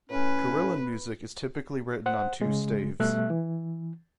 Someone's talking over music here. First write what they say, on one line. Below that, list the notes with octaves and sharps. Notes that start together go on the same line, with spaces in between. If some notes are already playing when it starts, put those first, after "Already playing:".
Carillon music is typically written on two staves.
A2 C#4 B4
C5 F#5
C#3 G#3
B2 G3 A3 E5 F#6
E3